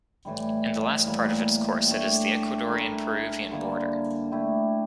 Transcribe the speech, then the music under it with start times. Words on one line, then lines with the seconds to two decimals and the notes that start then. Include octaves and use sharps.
In the last part of its course it is the Ecuadorian-Peruvian border.
0.25 A2 E3 G3
1.06 A2 E3 G3 A#3
1.88 A3 D4 G4
2.69 A3 E4 A#4
3.51 D3 G3 A#3 E4
4.32 A3 E4 G4